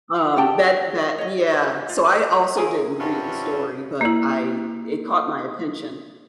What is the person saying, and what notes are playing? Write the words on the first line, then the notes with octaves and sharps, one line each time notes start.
um, that that Yeah, so I also didn't read the story, but I it caught my attention.
F#4 G4 G5 A5
C#5 D#5
F4
E4 G#4 A#4 G#5
G2 C3 F#3 C#4 F4 E5
A#3 E4